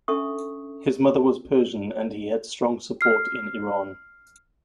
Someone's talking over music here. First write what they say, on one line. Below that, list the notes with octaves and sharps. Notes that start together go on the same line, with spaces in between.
His mother was Persian and he had strong support in Iran.
C#4 D4 A4 E5 C#6 D#6
F6 C7